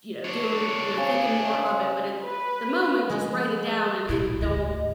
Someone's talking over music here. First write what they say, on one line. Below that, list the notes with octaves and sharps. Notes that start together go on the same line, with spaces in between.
you know, doing you know, thinking more of it. But at th the moment, just write it down and and don't,
D4 C#5
C#3 C4 G#4
B4
G#3
B1 A2 E4
D2 G#2 D#5